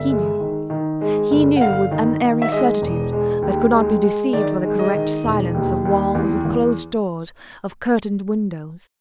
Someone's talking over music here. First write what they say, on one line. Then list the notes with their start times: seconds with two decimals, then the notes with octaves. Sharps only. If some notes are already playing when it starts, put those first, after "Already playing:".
But he knew. He knew with unerring certitude that could not be deceived by the correct silence of walls, of closed doors, of curtained windows.
Already playing: G1 E5
0.10 G#3
0.40 D#3
0.70 D#3
1.01 G#3
1.31 G1
1.56 F#5
1.61 G1 F5
1.91 D#3
2.22 D#3
2.42 E5
2.52 G#3 D#5
2.82 E1
3.12 G#3
3.42 D#2
3.72 G#3
4.03 G#3
4.33 D#3 D5
4.64 G#3
4.79 D#5
4.94 D#3
5.24 E1
5.54 D#2
5.85 D#2
6.15 E2
6.45 E2